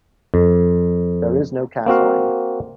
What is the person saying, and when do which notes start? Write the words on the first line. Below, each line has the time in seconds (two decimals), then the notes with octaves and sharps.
There is no castling.
0.34 F2
1.86 A#3 C4 F#4 F5